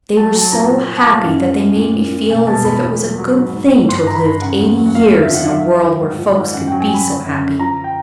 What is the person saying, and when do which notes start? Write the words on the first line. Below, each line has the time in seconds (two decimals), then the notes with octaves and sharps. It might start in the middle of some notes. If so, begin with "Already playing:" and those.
They were so happy that they made me feel as if it was a good thing to have lived eighty years in a world where folks could be so happy.
0.17 F#3 A5
0.35 F#3 A5
0.52 A#2 A#5
0.70 A#2
0.87 F3
0.97 A5
1.06 F3
1.17 F5
1.23 F#2 F#5
1.41 F#2
1.58 F#2
1.76 A#2
1.94 A#2
2.12 A#2
2.30 B2 G#5
2.47 B2 A5
2.65 E2 B5
2.83 A#2
3.00 F#3
3.18 F#3
3.35 G#2
3.53 G#2
3.72 G#2
3.89 G2 C6
4.06 E3 A#5
4.15 B5
4.23 G2
4.42 C#3 F#5
4.59 E2
4.77 F#3
4.86 F#5
4.95 F2 F5
5.08 F2 F5
5.21 E5
5.30 F3 F#5
5.44 F5
5.48 F#3 E5
5.62 F#3 F5
5.83 D#3
6.01 G#2
6.19 F3
6.36 G#2
6.54 F#2 F#5
6.68 F#3 G5
6.80 G#5
6.89 F#3
6.94 B5
7.07 D3
7.24 F#2
7.42 D3
7.59 F3 A#5
7.84 G5